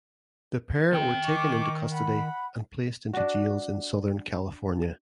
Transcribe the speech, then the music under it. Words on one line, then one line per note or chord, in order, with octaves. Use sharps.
The pair were taken into custody and placed into jails in Southern California.
F2 D#3 B3 C4 G5
C#6 D6
F#5 B5
D4 F#4